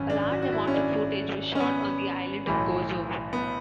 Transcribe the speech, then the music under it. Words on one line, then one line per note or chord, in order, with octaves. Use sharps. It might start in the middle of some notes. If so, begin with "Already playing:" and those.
A large amount of footage was shot on the island of Gozo.
Already playing: G#1 F#2 C#4
D4
F#4
F#4
E4
C#4
D4
C#4
B3
B1 A2 E3
B3